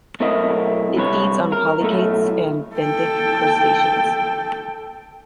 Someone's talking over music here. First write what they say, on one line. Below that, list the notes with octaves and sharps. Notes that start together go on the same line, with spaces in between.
It feeds on polychaetes and benthic crustaceans.
B1 A3 C4 E4 A#4 D#5
G2 C3 B4 C#5
A#4
B1 A2 A3
A4 G5